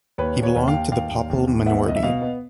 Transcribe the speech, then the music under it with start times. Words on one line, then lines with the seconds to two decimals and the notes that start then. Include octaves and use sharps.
He belonged to the Papel minority.
0.18 D#2 B4 C#5
0.37 D#2
0.43 B4 C#5
0.56 D#2
0.68 F5 G5
0.74 D#2
0.92 D#2 F5 G5
1.10 D#2
1.30 D#2
1.47 D#2
1.66 B3 E5 F#5
1.84 C2 D#5
1.96 E5
2.03 B2 D#5 F5
2.22 B3